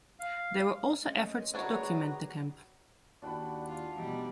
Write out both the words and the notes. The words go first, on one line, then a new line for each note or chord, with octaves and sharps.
There were also efforts to document the camp.
F5
G#3 A3 C#4
D#3 F#3 D4 F#4 G#4 B4 C#5 A#5
D#2 D4 F#4 D5 F#5 G5 B5
F4
B2 E3 G3 D#4